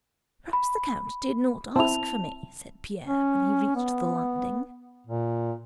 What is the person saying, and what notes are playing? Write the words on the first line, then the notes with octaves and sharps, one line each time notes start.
"Perhaps the count did not ask for me," said Pierre when he reached the landing.
B5
C4 E4 A5 F7
C#4
B3
A#2